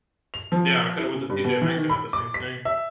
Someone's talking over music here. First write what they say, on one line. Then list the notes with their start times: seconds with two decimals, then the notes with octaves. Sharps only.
Yeah. I coulda went to TJ Maxx and got the same thing.
0.34 F7
0.52 F3
0.99 E4
1.14 C#3
1.30 G2
1.44 B2
1.62 E3
1.77 D#3
1.90 B5
2.13 D6
2.34 B6
2.65 E5